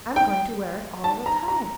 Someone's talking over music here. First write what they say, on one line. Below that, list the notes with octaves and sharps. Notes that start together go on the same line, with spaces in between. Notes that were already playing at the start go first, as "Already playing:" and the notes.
"I'm going to wear it all the time."
G5
A5
A#5
A#5